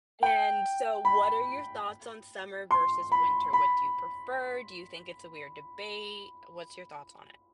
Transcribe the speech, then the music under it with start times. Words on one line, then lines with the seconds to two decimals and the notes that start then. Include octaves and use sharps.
And, so, what are your thoughts on summer versus winter? What do you prefer? Do you think it's a weird debate? What's your thoughts on it?
0.23 G5
1.05 B5
2.71 C6
3.12 B5
3.53 B5